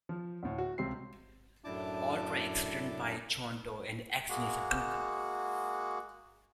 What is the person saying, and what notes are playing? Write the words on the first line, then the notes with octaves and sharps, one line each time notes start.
All tracks written by John Doe and Exene Cervenka.
F3
D2 A2
F#4
C#2 C3 C4 C7
F#2 A2 D4 E4 A5 D6
G#3 A#3 F#4